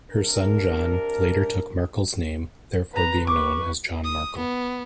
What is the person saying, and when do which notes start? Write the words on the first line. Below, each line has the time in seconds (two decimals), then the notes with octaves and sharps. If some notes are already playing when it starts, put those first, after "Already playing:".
Her son, John, later took Markle's name, thereafter being known as John Markle.
0.10 C3 D4 A#4
2.94 B4 A#5
3.27 B4 C#6 D6
4.04 D#6
4.38 B3